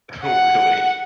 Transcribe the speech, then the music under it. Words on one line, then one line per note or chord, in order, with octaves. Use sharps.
Oh, really?
F#5